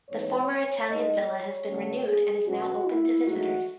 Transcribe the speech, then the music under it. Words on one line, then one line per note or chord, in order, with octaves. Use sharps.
The former Italian villa has been renewed and is now open to visitors.
G#2 E3 G#3 B3 D#4 C#5
A2 G#3 D#4 D#5
C#5
C#3 F#3 A3 C#4
G#4
B2 F#3 C#4 F#4
E4
G#2 F#3 A3 D#4 F#4